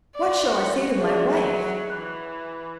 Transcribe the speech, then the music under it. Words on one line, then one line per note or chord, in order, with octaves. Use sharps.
What shall I say to my wife?
D5
F#4
D4 G#4 C#5 E5
F#3
E3 F#6